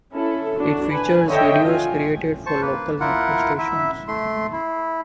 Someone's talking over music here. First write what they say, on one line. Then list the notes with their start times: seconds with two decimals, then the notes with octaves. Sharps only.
It features videos created for local network stations.
0.12 C#4 E4 A4
0.57 D4 F#4
0.90 B4 G#5
1.27 D3 C#5 D#5 E5 G5
1.63 F4 G#5
2.46 C5 A5 C#6
2.61 A#3 B4
3.00 E4 F4 A#4 F#5
3.58 E4 E5
4.08 A3 C6
4.52 E4